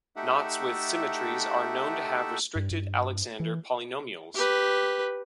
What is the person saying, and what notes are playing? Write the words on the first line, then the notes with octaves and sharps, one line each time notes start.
Knots with symmetries are known to have restricted Alexander polynomials.
A3 D#4 G4 A4 E5 F#5
G2
G2
E3
G4 B4